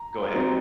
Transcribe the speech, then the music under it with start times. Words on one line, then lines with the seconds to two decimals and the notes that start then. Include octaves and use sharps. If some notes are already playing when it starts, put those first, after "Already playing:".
Go ahead.
Already playing: A#5
0.33 F#3 C4 D#4